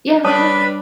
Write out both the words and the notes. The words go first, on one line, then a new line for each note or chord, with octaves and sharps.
Yeah, yeah.
G3 D4 B4 C#5 A5 B5 D#6